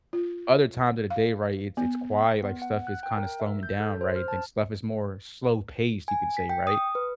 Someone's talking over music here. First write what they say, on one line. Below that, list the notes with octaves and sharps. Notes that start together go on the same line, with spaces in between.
other times of the day, right, it's it's quiet, like, stuff is kinda slowing down, right? I think stuff is more slow-paced, you could say, right?
F4
F5
B3
B3
F#5
F#6
G5
A#4
E5
G6
A4
C5
F6
A5
G#5
B6
G5
D#6
B4